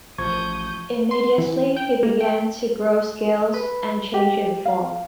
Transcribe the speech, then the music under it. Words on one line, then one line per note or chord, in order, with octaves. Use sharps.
Immediately he began to grow scales and change in form.
A1 F3 C#6 D#6 G6 G#6
C6
E3
G5
A#3
G5
B4
G4
F5